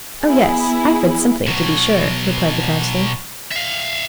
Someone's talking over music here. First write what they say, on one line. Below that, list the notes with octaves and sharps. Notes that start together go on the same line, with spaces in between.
"Oh yes, I've read something, to be sure," replied the Councillor.
B3 E4 G#4
B2 F#3
E5 F5